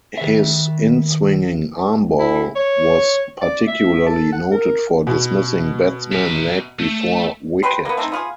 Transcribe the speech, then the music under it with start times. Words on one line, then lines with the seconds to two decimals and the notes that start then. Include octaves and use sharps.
His inswinging arm ball was particularly noted for dismissing batsmen leg before wicket.
0.18 D#3 E5
2.19 E4
2.56 C#5
3.41 D5
3.67 E5
4.06 A4
4.32 F#5
4.52 A#4
5.07 B2
6.12 E5 A#5
6.79 A3
7.63 B2 B4 G5 C6
7.85 A#3 B3
7.97 A3 C4 D#4
8.12 B3 F4 G#4